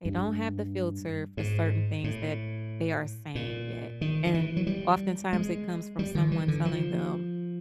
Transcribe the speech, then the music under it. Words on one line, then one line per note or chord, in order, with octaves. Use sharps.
They don't have the filter for certain things that they are saying yet, and oftentimes, it comes from someone telling them,
G2
G#2
A2
A#2
D#3
D#3
E3
F#3
G3
G#3
G3
D#3
E3
D3
F3